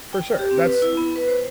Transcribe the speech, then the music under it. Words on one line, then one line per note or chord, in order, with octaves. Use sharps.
For sure, that's
G5
G4
C4
B4
E4
B3
B4
C5